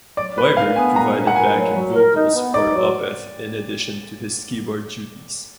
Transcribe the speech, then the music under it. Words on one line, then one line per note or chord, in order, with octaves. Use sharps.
Wiberg provided backing vocals for Opeth in addition to his keyboard duties.
F#3 D5
A#2 B4
D4 F5
B3 G#5
A#2 A#5
D4
F#5
A#2 G#5
F#3
F#3
A#4
D#4
B3
D#4 D5
F#3